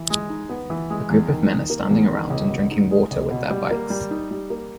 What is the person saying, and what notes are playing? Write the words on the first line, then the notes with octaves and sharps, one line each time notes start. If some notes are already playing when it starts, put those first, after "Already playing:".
A group of men are standing around and drinking water with their bikes.
Already playing: E3
G#3
D#4
B3
E3
G#3
E2
D#3
D#4
A#3
E2
D#3
C#2
B2
D#4
G#3
C#2
B2
G3
A#3
G3
D#4
G3
A#3